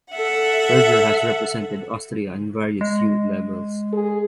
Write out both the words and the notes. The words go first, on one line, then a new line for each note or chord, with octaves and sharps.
Berger has represented Austria in various youth levels.
A4 E5 F#5
G#3
G#4